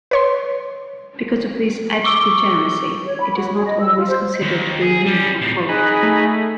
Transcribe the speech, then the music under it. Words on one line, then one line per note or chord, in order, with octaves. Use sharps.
Because of this edge-degeneracy, it is not always considered to be a uniform polyhedron.
B4 C#5 C6
C#6 D6 E6 D7 G7
C#5
B5
F#4
G#4
D#5
E6
F4
C5
D#2
G#4
G3 C#4
A2 C3
D#4 G#4 B5 F#6
A3